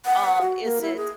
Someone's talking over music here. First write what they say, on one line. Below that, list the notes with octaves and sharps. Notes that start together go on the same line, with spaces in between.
Um, is it
F#5
F#4
A#3
E4
G#4